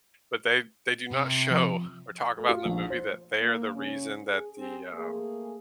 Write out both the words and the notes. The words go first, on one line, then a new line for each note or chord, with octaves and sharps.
but they they do not show or talk about in the movie that they are the reason that the, um,
C3
F3
A3
F4
A#1
C5
A#3
C#3 C#4
G#4
C4 G4 G#4
A3 A#3 G#4